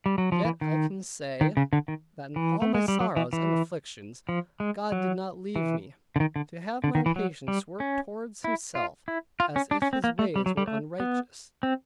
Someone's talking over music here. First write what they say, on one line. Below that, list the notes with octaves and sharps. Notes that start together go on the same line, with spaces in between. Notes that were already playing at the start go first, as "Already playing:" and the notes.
Yet I can say, that in all my sorrows and afflictions, God did not leave me to have my impatience work towards Himself, as if His ways were unrighteous.
G3
F#3
F3
E3
D#3
D#3
C#3
D3
D#3
E3
A3
G#3
G3
F#3
E3
E3
F3
G#3
F#3
E3
D3
D#3
D3
D3
D#3
E3
F#3
G3
C#4
E4
F4
E4
F4
C#4
D4
C#4
C4
A#3
A3
G3
F#3
G3
A3
B3
C4